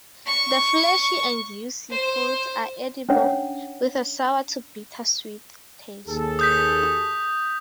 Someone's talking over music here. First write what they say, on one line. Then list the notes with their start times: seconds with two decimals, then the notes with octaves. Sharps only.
The fleshy and juicy fruits are edible with a sour to bitter sweet taste.
0.26 C#6
1.91 C5
3.09 C#4 D4 C#5 F#5
6.07 D#2 G#4 A4
6.39 D#6 G6 B6